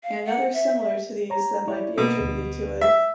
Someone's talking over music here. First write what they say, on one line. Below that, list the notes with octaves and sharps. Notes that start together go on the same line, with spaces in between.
An others similar to these that might be attributed to it.
F5
F#5
E5
C#5 A#5
E4 C#5 D5
B2 A#3
D2
E5